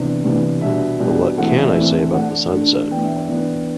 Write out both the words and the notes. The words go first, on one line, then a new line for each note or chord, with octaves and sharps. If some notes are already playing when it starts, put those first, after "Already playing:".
But what can I say about the sunset?
Already playing: C3 E3 B3 D4 D5
C3 E3 B3 D4
B2 G3 D4 E5
B2 G3 D4
E3 A3 C4 F#5
E5
D5
E5
E3 A3 C4
D3 A3 D4 F#5
D3 A3 D4
E3 B3 D4 G5
E5
D5
E3 B3 D4